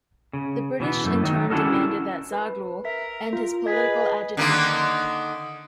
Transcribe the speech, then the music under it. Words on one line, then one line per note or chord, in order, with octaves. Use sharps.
The British in turn demanded that Zaghloul end his political agitation.
C#3
B2 E3 B3
F#2 A3
D#3 F#3 D#4
C#4 D4 E4 F#4 A4 A#4
B4
A#4 E5 B6
F4
G#4 B4 D#5 G#6 B6
D3 D#3 A#3